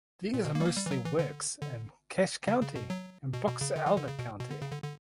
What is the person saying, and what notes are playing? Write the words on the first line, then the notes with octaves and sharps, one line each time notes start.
These are mostly of works in Cache County and Box Elder County.
A#2
B2
A#3
G3
A#3
G3
E3
F#3
E3
D3
D3
C#3
C#3
B2
F#3
B2
B2
C#3
D3
E3
D3
C#3
B2
B2
D3
C#3
D3
D3